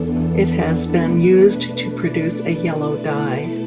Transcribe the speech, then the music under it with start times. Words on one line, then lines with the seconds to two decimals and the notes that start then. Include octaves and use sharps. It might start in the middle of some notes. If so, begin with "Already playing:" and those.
It has been used to produce a yellow dye.
Already playing: E2 E3 B3 D4 A4
0.56 A4
0.99 B2 A3 D4 B4
1.87 D5
2.29 B4
2.74 B2 A3 E4
3.17 A4